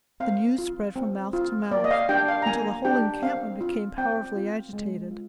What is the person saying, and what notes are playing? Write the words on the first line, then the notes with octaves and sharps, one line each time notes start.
The news spread from mouth to mouth, until the whole encampment became powerfully agitated.
C4 F5
F4
C4
F4
A#3 D5
D#5
F5
D4 G4 G5
F5
A#5
A#3 G#5
D4 G4 G5
C4 F5
F4
C4 G5
F4
G#3
F4